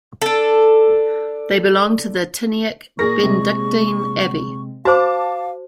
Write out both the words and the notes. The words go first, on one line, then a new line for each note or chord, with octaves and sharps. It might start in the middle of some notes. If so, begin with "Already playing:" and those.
They belonged to the Tyniec Benedictine Abbey.
D4 A4
A#2 G#4 A#4 C#6 A#6
C3 G#3 C4
F#4 C5 F5 A5 D6